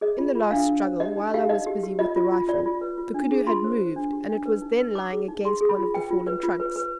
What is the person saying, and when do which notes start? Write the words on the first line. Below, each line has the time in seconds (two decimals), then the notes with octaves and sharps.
In the last struggle, while I was busy with the rifle, the koodoo had moved, and it was then lying against one of the fallen trunks.
0.01 G#4 D#5
0.18 F4
0.35 F4
0.51 D4 F5
0.68 D4
0.84 C5
1.00 G4 D#5
1.17 D#4
1.34 G4 F5
1.49 D#4 D#5
1.66 G4
1.83 G4
1.99 F4 D#5
2.16 F4
2.32 F4
2.48 F4 D5
2.66 F4
2.81 B4
2.98 F4
3.14 D4
3.31 G#4
3.47 F4 C6
3.64 C5
3.80 C5
3.96 D4
4.13 G4
4.30 D4
4.46 B4
4.62 D#4
4.79 B4
4.95 D#4 D6
5.12 G#4
5.28 D#4
5.44 G#4 C6
5.61 G#4
5.69 B5
5.78 F4
5.94 B4 G5
6.11 F4
6.27 B4
6.43 F4
6.60 B4
6.76 B4